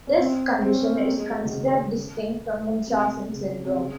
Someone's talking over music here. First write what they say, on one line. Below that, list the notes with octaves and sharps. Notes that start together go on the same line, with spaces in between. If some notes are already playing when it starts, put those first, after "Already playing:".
This condition is considered distinct from Munchausen syndrome.
C#4
C4
C4
C#4
C#4
C4
A#3
G#3
F#3
D#3
C#3
C3
C#3
C3
C#3